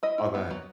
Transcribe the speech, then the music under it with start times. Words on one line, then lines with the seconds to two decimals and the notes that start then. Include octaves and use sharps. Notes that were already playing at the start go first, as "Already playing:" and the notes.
Oh, go ahead.
0.03 E4 D#5
0.18 E4
0.34 B3
0.50 F#3